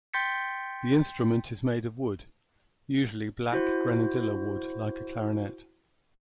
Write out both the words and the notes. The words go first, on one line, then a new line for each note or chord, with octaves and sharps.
The instrument is made of wood, usually black grenadilla wood like a clarinet.
G5 C6 G6 A6 B6 C#7
E4 F#4 C5